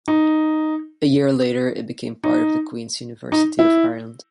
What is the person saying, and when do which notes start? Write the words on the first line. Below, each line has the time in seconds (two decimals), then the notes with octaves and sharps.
A year later it became part of the Queen's University of Ireland.
0.08 D#4
2.24 D#4
3.32 D#4
3.59 E4